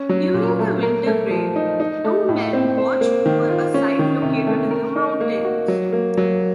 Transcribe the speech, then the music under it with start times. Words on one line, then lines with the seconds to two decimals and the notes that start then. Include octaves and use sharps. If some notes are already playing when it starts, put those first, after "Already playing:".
During the winter break, two men watch over a site located in the mountains.
Already playing: C#4
0.09 F#3
0.34 A#2
0.59 A3
0.83 A#4
1.06 A3
1.31 F3
1.56 D#4
1.80 D#4
2.04 A3
2.29 A2
2.53 C4
2.78 C5
3.01 A#3
3.26 D#3
3.50 F4
3.74 C#4
3.99 D#3
4.22 C3
4.47 A3
4.71 A#4
4.96 D#4
5.21 A#3
5.45 F#4
5.68 F#3
5.92 A#3
6.17 F#3